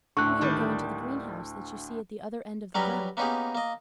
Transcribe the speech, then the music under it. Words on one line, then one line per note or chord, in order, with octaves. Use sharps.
"We are going to the greenhouse that you see at the other end of the grove."
D2 A2 D3 C#6 F#6
D#3 G3 D4
F#3 G3 C#4 G4 A#4 B4
A#3 B3 C#4 D#4 G4 G#4
A#3 D#5